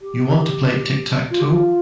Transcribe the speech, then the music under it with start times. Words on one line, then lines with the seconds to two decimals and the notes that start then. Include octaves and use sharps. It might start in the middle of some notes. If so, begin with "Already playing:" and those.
You want to play Tic-Tac-Toe?
0.01 G4
1.30 F4
1.40 G4
1.50 F4